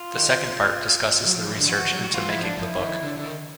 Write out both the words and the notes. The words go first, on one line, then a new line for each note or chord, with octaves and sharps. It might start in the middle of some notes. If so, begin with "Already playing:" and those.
The second part discusses the research into making the book.
Already playing: F4
D#3
F#3
F3
E3
D3
E3 F#4
F#3
F#4
E3 F4
E4
F3
D4
F3 E4
D#3
D3
D3
D#3